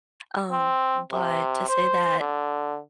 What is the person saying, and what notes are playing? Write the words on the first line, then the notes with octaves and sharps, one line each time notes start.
Um, but to say that
C4
C3
C5
D3